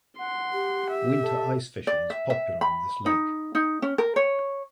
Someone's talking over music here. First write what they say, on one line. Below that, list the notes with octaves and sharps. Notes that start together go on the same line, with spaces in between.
Winter ice fishing is popular on this lake.
F#5 C6
G4
E5
A4
D5
E5
E5
B5
D#4
D#4
C#4
A#4
C#5